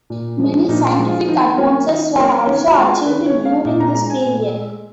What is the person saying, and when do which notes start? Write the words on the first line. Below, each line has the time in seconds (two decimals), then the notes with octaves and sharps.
Many scientific advances were also achieved during this period.
0.10 A#2
0.39 F3 G#3
0.69 A#2 D#4
0.88 F4
0.99 F3 G#3
1.09 F4
1.28 D#3 D#4
1.58 F#3 A#3 C#4
1.87 D#3 D#4
2.17 F#3 A#3 C#4
2.46 D#3 C#4
2.68 F#4
2.77 G#3 F4
3.06 D#3 B4
3.26 C#5
3.35 G#3
3.45 F5
3.65 A#2 D#5
3.80 A#5
3.94 G#3 A#5
4.10 G#5
4.25 A#2
4.54 G#3